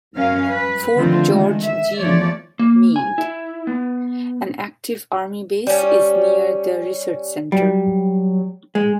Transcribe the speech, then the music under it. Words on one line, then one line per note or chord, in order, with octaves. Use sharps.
Fort George G. Meade, an active Army base, is near the research center.
F#2 C#4 A#4 F5
B4
D3 D#3 F3 A3 C4 F4
D#3 E3 G#3 A3
E5
E2 F3 A3 C#5 D5
A#3
G#5
E4
B3
G3 C#4
F#3 G3
G#3